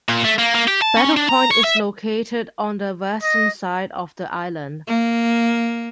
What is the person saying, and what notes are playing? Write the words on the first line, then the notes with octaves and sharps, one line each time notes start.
Battle Point is located on the western side of the island.
A#2
A3
A#3
A#3
G4
A5
C#4
D4
A#5
C#5
E5
D#5
A#3